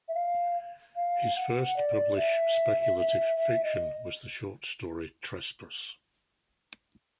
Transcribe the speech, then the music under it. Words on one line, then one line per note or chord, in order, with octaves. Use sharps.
His first published speculative fiction was the short story Trespass!
E5
F5
F5
F#5
D5
E5
E5
D#5